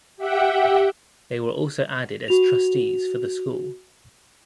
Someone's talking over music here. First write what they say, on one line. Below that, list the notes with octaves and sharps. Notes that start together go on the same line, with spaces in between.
They were also added as trustees for the school.
G4 E5 F#5 G5
F#4 F7